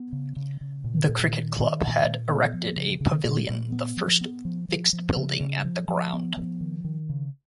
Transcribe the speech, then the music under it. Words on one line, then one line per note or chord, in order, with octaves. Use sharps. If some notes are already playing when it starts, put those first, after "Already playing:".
The cricket club had erected a pavilion, the first fixed building at the ground.
Already playing: B3
C#3
C#3
C#3
A#2
A#2
D#3
D#3
A#2
A#2
B3
F3
C#3
C#3
A#2
A#2
B3
F3
B3
F3
F3
F3
C#3
C#3
F3
F3
B3
F3
D#3
D#3
C#3